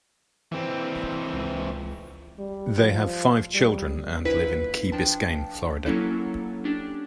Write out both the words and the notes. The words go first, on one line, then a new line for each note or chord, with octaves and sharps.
They have five children and live in Key Biscayne, Florida.
E3 C4
C#2
G3
F3
G3
A#1 E4 B4 B6
F3 D4 G5 A5
F#3 A#3 C#4 E4 A4
C#4 D4 G4